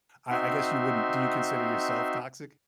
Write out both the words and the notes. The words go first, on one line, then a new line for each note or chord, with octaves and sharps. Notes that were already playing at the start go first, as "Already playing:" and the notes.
I I guess you wouldn't do you consider yourself toxic?
C4 D#4 F#4 E5 C6